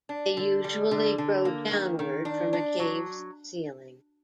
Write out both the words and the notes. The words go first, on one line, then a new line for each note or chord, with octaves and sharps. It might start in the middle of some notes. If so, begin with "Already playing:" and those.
They usually grow downward from a cave's ceiling.
D4
D3
G3
D3
D3
A#3
D#3
D#3
D4
D4
F#3